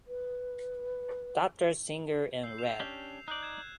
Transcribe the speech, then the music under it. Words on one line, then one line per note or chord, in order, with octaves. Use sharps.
Dr Singer and Rev.
B4
E6 G6 C7
G6 E7 F7
C#4 D4 G4
D#4 D5 F#6 G6
G#6 E7